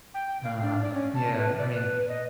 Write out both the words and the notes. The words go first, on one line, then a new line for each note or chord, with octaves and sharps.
Nah, yeah, b I mean,
G5
F5
D4
D5
C#4
A5
B4
D5
B4
D#5